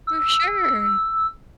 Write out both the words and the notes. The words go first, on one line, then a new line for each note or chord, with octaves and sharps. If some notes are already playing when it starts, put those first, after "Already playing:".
For sure.
E6